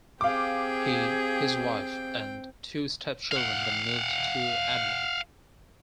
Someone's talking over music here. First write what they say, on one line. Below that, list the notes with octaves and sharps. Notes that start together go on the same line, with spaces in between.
He, his wife and two stepchildren then moved to Adelaide.
C4 G4 G#4 F5 G5 D6
F5 F#5